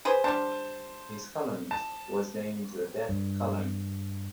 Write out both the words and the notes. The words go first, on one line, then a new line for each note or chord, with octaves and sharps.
His column was named the "Death Column".
G#4 B4 C5
G3 D4 C5 A5
A5
G2